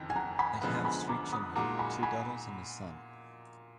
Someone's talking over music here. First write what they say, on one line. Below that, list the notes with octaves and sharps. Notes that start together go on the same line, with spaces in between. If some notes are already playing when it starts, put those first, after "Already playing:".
They have three children: two daughters and a son.
Already playing: F#1 F2 D#3
G#5
F#5 A#5
G#5 B5
F#2 D3 F3 G#3 B3
G#5 B5
A#5 D6
B5 D#6
A#2 G#3 D#4 F#4 A#5 D6
G#5 B5
G#5 B5